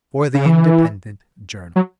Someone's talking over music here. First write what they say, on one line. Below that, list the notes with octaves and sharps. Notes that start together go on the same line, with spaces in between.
For the Independent Journal.
C#3
E3
F#3